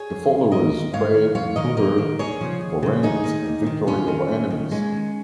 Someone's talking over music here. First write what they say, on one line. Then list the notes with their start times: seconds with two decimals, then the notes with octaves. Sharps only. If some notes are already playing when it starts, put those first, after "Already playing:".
The followers prayed to her for rains and victory over enemies.
Already playing: G#4 C#5
0.10 F2
0.31 F3
0.51 G#2 A#4 D#5
0.72 D#3
0.93 G#2 C#5 F5
1.14 D#3
1.35 F2 C#5 F5
1.56 D#3 A#4 D#5
1.77 F2 A#4 D#5
1.98 D#3
2.19 D#2 G#4 C#5
2.41 C#3 F3
2.61 D#2
2.83 C#3 F3
3.03 D#2 D#4 G#4
3.24 D#3
3.46 D#2
3.66 D#3
3.87 D#2 C#4 F4
4.08 D#3
4.29 D#2
4.50 D#3
4.71 D#2 G#3 C#4
4.92 D#3